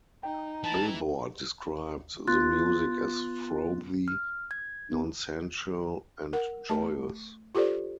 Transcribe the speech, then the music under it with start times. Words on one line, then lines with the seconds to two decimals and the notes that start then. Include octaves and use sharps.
"Billboard" described the music as frothy, nonsensical and joyous.
0.23 D#4 G5
0.64 E3 A5
2.28 B3 F4 C6 F#6 A6
4.08 F6
4.51 G#6
4.92 B3
6.33 A#4 F#5
6.69 A3 A5
7.55 F4 G4 A4 C5 D5